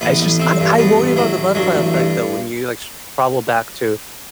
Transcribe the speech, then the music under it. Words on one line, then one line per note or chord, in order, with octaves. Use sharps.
I just I I worry about the butterfly effect though when you, like, s travel back to,
A1 B3
A1
A1 C4
G2
G2 B3
A1
A1 F#3
A1
G2 F#3
A1
G2